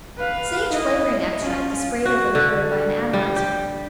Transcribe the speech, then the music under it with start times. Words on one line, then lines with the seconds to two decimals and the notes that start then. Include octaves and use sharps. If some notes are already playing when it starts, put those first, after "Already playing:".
Sage flavoring extract is sprayed over the curd by an atomizer.
0.17 B4 F5
0.68 E4 D#5
1.41 C#4 F4
2.05 F#4
2.35 D3
3.13 G3
3.36 G4